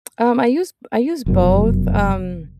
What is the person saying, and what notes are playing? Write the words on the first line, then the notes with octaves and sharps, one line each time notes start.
Um, I use b I use both, um,
F1 F#2 B2